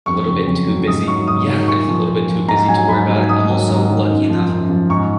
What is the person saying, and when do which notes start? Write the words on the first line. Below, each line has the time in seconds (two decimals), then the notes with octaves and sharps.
A little bit too busy yeah, a little bit too busy to worry about it. I'm also lucky enough
0.06 F2 C#6
0.27 C#3 F#3
0.47 F2
0.66 C#3 F#3
0.87 G#2 D#6
1.07 D#3 F#3 C#6
1.28 G#2 D#6
1.47 D#3 F#3
1.68 A#2 C#6
1.88 F3
2.08 A#2
2.28 F3
2.48 G#2 A#5
2.68 F#3 G#5
2.89 G#2 B5
3.08 F#3
3.28 G#2 D#6
3.49 D#3 F#3
3.69 G#2
3.89 D#3 F#3
4.10 F#2
4.29 F3
4.49 F#2
4.70 F3
4.90 G#2 C#6